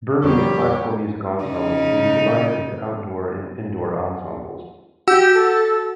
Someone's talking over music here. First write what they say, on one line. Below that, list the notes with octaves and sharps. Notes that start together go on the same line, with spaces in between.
Burmese classical music ensembles can be divided into outdoor and indoor ensembles.
F2 D3 D#3 G3 G4 C#5
C#3 D#4
F#4 G4 F#5 E6
A4